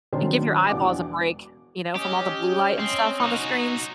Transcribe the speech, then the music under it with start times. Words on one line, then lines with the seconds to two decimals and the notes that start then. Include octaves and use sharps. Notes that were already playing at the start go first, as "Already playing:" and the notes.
and give your eyeballs a break, you know, from all the blue light and stuff on the screens.
0.13 G#1 D#3 F#3 D4 C5 C#5
0.69 E1 E2 D4 F#5 D6
1.96 C#4 G4 D#5
2.79 C4
3.20 D#4 F#4